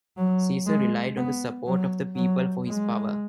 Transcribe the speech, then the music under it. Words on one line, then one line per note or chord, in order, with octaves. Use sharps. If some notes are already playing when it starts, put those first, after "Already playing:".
Caesar relied on the support of the people for his power.
F#3
G#3
B3
F#3
F#3
G#3